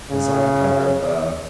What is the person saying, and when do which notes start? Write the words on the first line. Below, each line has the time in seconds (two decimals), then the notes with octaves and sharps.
'cause I'm kind of a
0.11 C#3